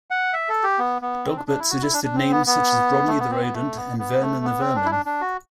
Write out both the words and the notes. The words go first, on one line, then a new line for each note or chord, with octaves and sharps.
Dogbert suggested names such as 'Rodney the Rodent' and 'Vernon the Vermin'.
F#5
E5
A4
G4
B3
B3
C4
D4
D4
E4
F#4
E4
D4
D4
C4
B3
B3
A3
B3
C4
B3
A3
B3
B3
A3
B3
C4
D4
E4
D4
D4
F#4